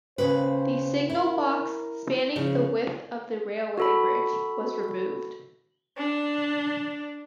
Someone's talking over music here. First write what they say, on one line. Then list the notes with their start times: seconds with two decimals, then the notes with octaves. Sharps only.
The signal box spanning the width of the railway bridge was removed.
0.18 D#2 C#3 B4 C5
1.10 E4 A#4
2.36 C#3 F3 G#4
3.78 F#4 A4 B5
5.98 D4